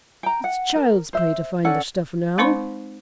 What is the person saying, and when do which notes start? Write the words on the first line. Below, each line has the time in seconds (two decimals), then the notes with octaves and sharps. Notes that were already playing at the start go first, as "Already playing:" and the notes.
It's child's play to find the stuff now.
0.23 G5 A#5
0.44 F#5
0.76 A#4
1.13 C5 E5
1.64 C#4 A4 D5 F#5
2.38 G#3 C4 D#4 C5 B5 C#6